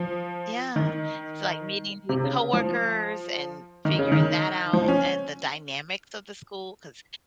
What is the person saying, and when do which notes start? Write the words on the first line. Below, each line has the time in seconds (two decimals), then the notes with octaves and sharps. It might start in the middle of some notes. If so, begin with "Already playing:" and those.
Yeah. It's like meeting new coworkers and figuring that out, and the dynamics of the school 'cause
Already playing: F3
0.76 D#3
2.09 C3
2.24 C#3
2.53 F3
3.85 D#3
3.99 C#3
4.12 D#3
4.73 F3
4.88 C#4